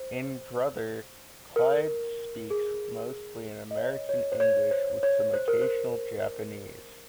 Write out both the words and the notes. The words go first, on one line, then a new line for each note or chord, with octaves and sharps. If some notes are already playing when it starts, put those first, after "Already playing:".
In "Brother", Claude speaks mostly in American-English with some occasional Japanese.
Already playing: C5
A#4
G#4
D#5
C#5
C#5
C5
C#5
C5
C#5
C5
A#4
C5